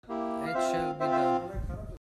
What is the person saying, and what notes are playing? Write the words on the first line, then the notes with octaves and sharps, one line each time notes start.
It shall be done!
A#3 E4 G4
F5
C4 F4 C5 E5
C4 F4 C5 E5
C5 E5